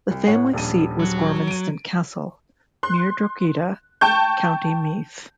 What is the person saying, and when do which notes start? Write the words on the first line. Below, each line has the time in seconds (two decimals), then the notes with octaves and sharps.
The family seat was Gormanston Castle, near Drogheda, County Meath.
0.11 C2
0.27 A2 C#5 F#5
0.53 D#1 A#1 D#7
0.99 F#3
1.47 D7 D#7
2.83 C6 F#6
4.01 G5 A5 C#6 G6